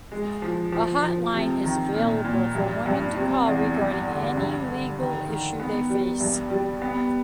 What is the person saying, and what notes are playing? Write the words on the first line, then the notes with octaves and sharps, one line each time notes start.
A hotline is available for women to call regarding any legal issue they face.
G#3
F3
F3
F3
C3
D#3
A#2
A#2
G2
G2
C3
E2
G2
D3
G2
D3
D#3
D#3
B3
G3
G2
G3
B3